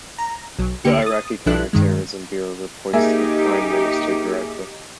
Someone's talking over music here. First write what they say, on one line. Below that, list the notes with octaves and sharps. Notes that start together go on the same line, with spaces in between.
The Iraqi Counter Terrorism Bureau reports to the Prime Minister directly.
A#5
B1 F#3
D2 D3 A#3 G4 C#7
D#6 A6
B1 F3 D4 E4 A4 F#6
G2 D#3 G#3
A#3 D#4 G4 G#4 E5